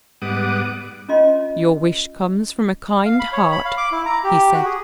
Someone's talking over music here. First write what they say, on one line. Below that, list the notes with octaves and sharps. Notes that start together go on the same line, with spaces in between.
"Your wish comes from a kind heart," he said.
G#2 G3 B3 F#5 D6 D#6
C#4 F4 D#5 C6
F5
B5
C#5
B5
F5
D6
E4
A#5
G4
F#4
G#4